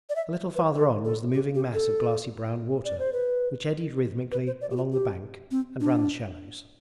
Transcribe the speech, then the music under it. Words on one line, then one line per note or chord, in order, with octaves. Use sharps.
A little farther on was the moving mass of glassy brown water which eddied rhythmically along the bank and round the shallows.
D5
E5
B4
A4
A4
G4
G4
A4
D5
C5
B4
B4
C5
D5
G4
F#4
G4
C4
D4